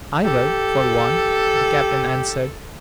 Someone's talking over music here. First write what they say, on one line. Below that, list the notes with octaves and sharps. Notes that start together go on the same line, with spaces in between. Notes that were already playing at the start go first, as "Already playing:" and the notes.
"I will, for one," the Captain answered.
G4 A4